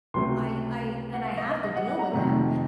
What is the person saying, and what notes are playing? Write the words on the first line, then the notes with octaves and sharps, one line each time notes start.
I I and I have to deal with him,
C#2 C3 F#3 A3 C6
F#5
F5
D#5
D#5
D#5
F#5
F#5
A#5
F2 C3 D#3 A3
D#5